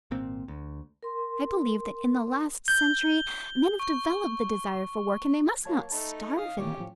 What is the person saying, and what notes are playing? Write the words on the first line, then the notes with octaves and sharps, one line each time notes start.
I believe that in the last century men have developed the desire for work, and they must not starve it.
G#1 A#2 C4
D2
A#4 C6
G6 G7
C#6
F#3 A#3 C#5 A5 G#6
A3 D#4 A5 B5
D#4 F5 D#6
A#2 D#3 E3 C#4 G4
A2 F3